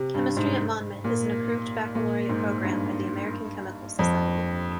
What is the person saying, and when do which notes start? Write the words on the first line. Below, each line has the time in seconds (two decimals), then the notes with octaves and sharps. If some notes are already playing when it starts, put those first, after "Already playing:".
Chemistry at Monmouth is an approved baccalaureate program by the American Chemical Society.
Already playing: C3
0.14 G2
0.37 G#2
1.04 A#2
1.95 A#2
2.29 G#2
2.63 G2
3.99 F2